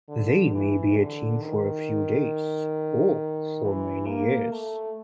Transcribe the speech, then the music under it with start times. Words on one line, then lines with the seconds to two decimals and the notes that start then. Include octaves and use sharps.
They may be a team for a few days, or for many years.
0.08 D3
0.53 E3
0.97 D3
1.42 D#3
3.64 E3
4.07 A#3
4.52 A3